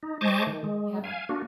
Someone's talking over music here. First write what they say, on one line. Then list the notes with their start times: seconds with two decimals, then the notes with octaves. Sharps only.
Yeah. Yeah.
0.03 D#4
0.21 C5 D#5 G#5 A5 C#6 D6
0.47 D#3
0.64 G#3
1.04 F5 G#5
1.29 A#3 D4 F#4